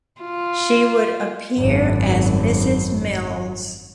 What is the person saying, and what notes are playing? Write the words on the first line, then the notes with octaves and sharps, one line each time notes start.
She would appear as "Mrs Mills".
F4
G#1 F#2